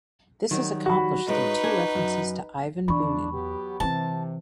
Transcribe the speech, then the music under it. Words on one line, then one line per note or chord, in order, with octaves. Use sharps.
This is accomplished through two references to Ivan Bunin.
D#3 F#3 G3
F#4 B5
A2 G#3 D#4 B4
D4 G#4
F#2
E2 D4 B5 C#6
F#3 B3 G4
C3 E3 C4 A5